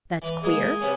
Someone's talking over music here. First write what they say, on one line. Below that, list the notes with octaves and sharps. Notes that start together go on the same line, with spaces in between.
"That's queer."
E3
G#3 A#3 G#4
C3 B3 C#4